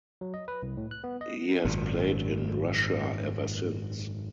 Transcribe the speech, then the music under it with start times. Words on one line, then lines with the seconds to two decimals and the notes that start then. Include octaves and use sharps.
He has played in Russia ever since.
0.21 F#3
0.34 D#5
0.48 B4
0.63 C2
0.77 A2
0.91 F#6
1.04 B3
1.21 D#5
1.65 G#1 F#2 A#2